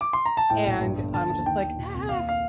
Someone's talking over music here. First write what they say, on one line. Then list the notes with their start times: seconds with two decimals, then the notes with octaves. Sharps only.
and I'm just like, "Ah!"
0.01 D6
0.13 C6
0.26 A#5
0.37 A5
0.50 A2 G5
0.66 A#1
0.81 G2
0.98 G1
1.14 D3 A5
1.29 D#2 A5
1.46 D#3 G5
1.62 D#2
1.77 A#2
1.94 C2
2.09 D#2 F5
2.29 F5